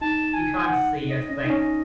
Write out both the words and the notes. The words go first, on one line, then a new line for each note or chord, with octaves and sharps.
You can’t see a thing.
D#4 A5
G#5
G#5
F#5
D#5
C#4 D#5
D#4
C#4